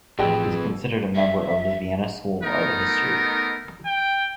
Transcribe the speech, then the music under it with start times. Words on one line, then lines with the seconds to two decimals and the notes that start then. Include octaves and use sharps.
He is considered a member of the Vienna School of Art History.
0.19 A1 F2 G4 G#4 B4 D#5 G5 E6
1.15 E5
2.43 A3 B3 D#4 A#4
3.85 G5